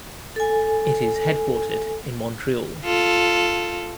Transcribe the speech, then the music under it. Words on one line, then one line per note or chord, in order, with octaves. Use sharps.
It is headquartered in Montreal.
A4 G#5
F4 A4